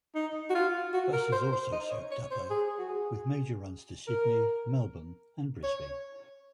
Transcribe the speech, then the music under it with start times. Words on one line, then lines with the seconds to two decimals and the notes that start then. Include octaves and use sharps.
Buses also serve Dubbo, with major runs to Sydney, Melbourne and Brisbane.
0.15 D#4
0.50 F#4
0.55 F4
0.94 F#4
1.13 A#4
1.32 C5
1.53 C5
1.73 D#5
1.91 C#5
2.12 C#5
2.31 C5
2.51 G#4
2.79 F#4
2.89 G#4
4.07 A#4
5.64 C#5